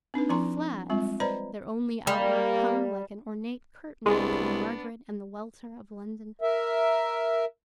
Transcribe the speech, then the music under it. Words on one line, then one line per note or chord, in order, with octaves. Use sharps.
The flats, their only outlook, hung like an ornate curtain between Margaret and the welter of London.
C4 D4 D#4 B4
F3 C4 E4 A#5 C6
G3 G#3 C4 F4
B4 C5 D5 D#5 A#5 B5
G3 A#3
C2 G#3 B3 D4
A#4 E5